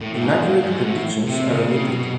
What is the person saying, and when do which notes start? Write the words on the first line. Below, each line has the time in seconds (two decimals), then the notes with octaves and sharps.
Inaccurate predictions are omitted.
0.01 A2
0.14 A2
0.22 G#2
0.43 G2
0.64 G#2
0.84 A2
1.26 C3
1.47 C#3
1.68 C#3
1.83 C3
1.89 B2